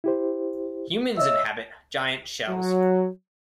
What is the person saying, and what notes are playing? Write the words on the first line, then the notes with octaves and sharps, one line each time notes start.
Humans inhabit giant shells.
E4 G4 C5
C#5 D#5 E5 E6
F#3